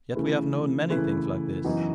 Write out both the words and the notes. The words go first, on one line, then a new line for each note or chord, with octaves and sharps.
Yet we have known many things like this.
C#3 E3 A3 E4 B4
C#3 E3 A3 E4 B4
F#2 E3 B3 D#4 F#4